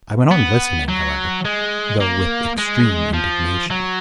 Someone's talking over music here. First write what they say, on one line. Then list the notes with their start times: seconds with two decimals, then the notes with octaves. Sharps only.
I went on listening, however, though with extreme indignation.
0.31 B3
0.88 F#3
1.45 G#3
2.01 A#3
2.58 G#3
3.14 F3
3.71 F#3